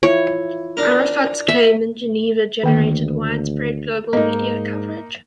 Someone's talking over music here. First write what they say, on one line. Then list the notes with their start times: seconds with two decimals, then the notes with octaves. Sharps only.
Arafat's claims in Geneva generated widespread global media coverage.
0.03 E4 F4 C#5
0.77 D4 A#4
1.48 E5
2.63 D2 D#3 A#3
4.13 G#2 A#3 D#4 D#5